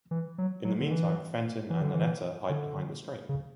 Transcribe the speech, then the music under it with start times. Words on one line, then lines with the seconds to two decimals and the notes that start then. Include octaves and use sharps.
In the meantime Fenton and Nannetta hide behind the screen.
0.11 E3
0.38 F#3
0.65 F#3
0.81 D3
0.91 E3
1.70 E3
1.82 D3
1.94 E3
2.50 D3
3.29 C#3